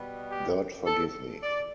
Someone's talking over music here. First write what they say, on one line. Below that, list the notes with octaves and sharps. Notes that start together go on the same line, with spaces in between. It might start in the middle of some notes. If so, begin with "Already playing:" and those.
God forgive me.
Already playing: B2 G3 B3
G4
A4
D5